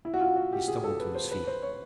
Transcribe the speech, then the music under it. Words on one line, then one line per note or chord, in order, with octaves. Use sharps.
He stumbled to his feet.
E4
F#4
F4
F#4
G4
G#4
A4
B4
C5
B4
C5
C#5